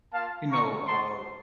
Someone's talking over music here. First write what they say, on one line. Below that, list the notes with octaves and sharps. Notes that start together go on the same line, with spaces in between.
you know, uh,
A#3 F4 F5 A5
A3 D#4 F#4 A#5 C#6
A3 D#4 F#4 A5 C6